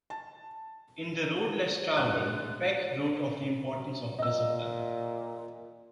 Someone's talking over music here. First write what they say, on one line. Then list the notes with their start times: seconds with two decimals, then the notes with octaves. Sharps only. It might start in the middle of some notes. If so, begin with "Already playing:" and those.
In "The Road Less Traveled", Peck wrote of the importance of discipline.
0.10 A5
1.97 E3 G3 G#3 F#6
2.24 G#3 A3
3.77 F#3
4.19 A#2 D#5 E6